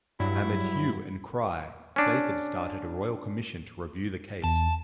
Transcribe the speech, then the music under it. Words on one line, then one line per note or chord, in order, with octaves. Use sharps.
Amid hue and cry, Playford started a Royal Commission to review the case.
G2 F#3 G3 E4
C#4 D4
E2 A5